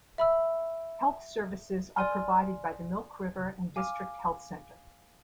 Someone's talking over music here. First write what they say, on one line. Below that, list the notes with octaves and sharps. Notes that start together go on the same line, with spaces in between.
Health services are provided by the Milk River and District Health Centre.
E5 B5 E6
D5 G#5 C6 F6
F5 G#5 D6 F6